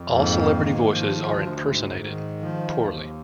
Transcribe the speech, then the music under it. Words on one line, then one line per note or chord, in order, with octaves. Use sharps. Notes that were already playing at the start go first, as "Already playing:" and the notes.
All celebrity voices are impersonated - poorly.
Already playing: F2
G#2 A#3
D#3
F3
D2
G#2
D#3
F3
D#2